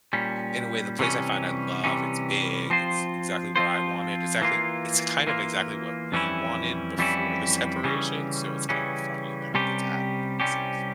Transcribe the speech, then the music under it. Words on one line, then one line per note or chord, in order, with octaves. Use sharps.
in a way, the place I find I love, it's big, it's exactly what I wanted, exactly It's kind of exactly what we wanted before the separation, so it's kind of funny that I get to have it by myself.
A#2 G3 C#4
C3 E3 G3 C#4
C3 E3 G3 C#4
F3 C4 F4 C5
F3 C4 F4 C5
E3 A#3 F4
E3 A#3 F4
F2 E3 G3 C#4 E4
F2 E3 G3 C#4 E4
C#3 E3 G3 C#4
C#3 E3 G3 C#4
C2 C3 G3 C#4 G4
C2 C3 G3 C#4 G4